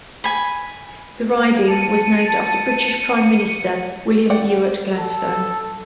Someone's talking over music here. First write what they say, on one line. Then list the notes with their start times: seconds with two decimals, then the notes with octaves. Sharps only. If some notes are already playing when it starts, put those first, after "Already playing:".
The riding was named after British Prime Minister William Ewart Gladstone.
0.24 G#5 B5
1.68 A5 C#7 D#7
4.30 D5 F#5 G5
4.97 A4